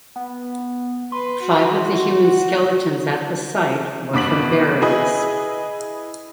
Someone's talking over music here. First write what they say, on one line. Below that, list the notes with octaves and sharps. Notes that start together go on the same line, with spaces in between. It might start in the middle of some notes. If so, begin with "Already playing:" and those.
Five of the human skeletons at the site were from burials.
B3
B4 C6
F#4
F#5
G2 B2 D6 B6 F#7
E4 G#4 B4 D#5